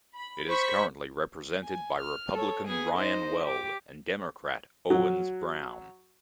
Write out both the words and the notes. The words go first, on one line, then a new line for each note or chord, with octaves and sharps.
It is currently represented by Republican Ryan Weld and Democrat Owens Brown.
B5
C5 B5 C#6 B6
G#5
F6
A4 C#5
B3 G#4 G#5
D#4 C5 D#5
G4 D6
F#3